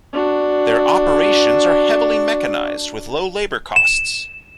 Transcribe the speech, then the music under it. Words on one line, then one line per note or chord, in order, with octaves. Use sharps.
Their operations are heavily mechanized with low labor costs.
D4 F#4
E7